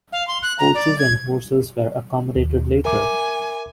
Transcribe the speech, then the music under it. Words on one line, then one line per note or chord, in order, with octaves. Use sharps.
Coaches and horses were accommodated later.
F5
C6
F#6
A#5
D5
G#6
D#2
A#4 E5 G#5 D6